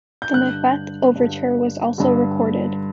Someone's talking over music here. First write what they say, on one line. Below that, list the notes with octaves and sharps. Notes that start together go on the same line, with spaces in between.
The "Macbeth" Overture was also recorded.
G6
G2 D3 F#6
G2 D3
G2 D3